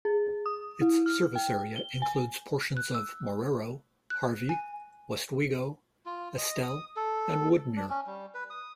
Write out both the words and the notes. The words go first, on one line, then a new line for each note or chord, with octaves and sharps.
Its service area includes portions of Marrero, Harvey, Westwego, Estelle, and Woodmere.
G#4
D#6
E4
F6
G5
G7
G#5
F#6
E6
F#6
G#5
F4
D#5
D#6
A4
D4
C#4
G3
B4
D#6